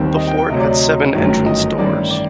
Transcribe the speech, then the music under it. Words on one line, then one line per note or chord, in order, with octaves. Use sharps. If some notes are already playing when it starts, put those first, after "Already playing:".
The fort had seven entrance doors.
Already playing: D#2 D#3 G3 C4
D#5
G5
G5
D2 C3 F#3 D#5
D5
D#5
G1 F#2 D#3 F#3 A3
D#5
A1 G2 D#3 D5
D5